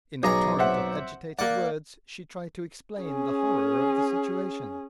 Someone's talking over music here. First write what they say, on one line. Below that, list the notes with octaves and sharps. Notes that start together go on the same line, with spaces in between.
In a torrent of agitated words she tried to explain the horror of the situation.
B1 G#4 D#5 A#5
C4 E5 F#5
A#3 D5 F#5
C#4 G#4